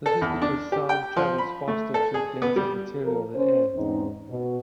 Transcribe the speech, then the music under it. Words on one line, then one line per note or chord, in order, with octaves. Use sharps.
This is because sound travels faster through denser material than air.
A4
E2
D4
G4
G5
F3
B5
A3
A4
G#4
B3
G3
F3 A4 A#4
C#4 C5
E2 G#2 C4 C#4 D#4
B2